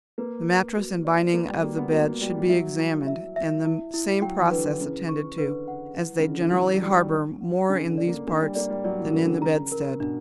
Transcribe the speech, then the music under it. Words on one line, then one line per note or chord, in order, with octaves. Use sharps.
The mattress and binding of the bed should be examined, and the same process attended to, as they generally harbor more in these parts than in the bedstead.
A#3 B4
B4
F#4
D5
A#3 B4
G3
A#3 F#4
B3
A#3 F#4
A#3
G3 F#4
E3
F#3 E5
E4
E5
E5
E4
E4
F#3 G5
E3
D3 B4
E3
C#3 E4
C#6
D3 B4
F#5
E4
C#3
E4
D3
E3
F#3 F#5
G3 C#6
D4
F#5
C#3 D4
D3
D5
A#3
A#3 D4
G3
A#3 D5
G3
F#3 D5
E3
C#3 A#4
D3
C#3
C#3 A#5
A#4
B2 D4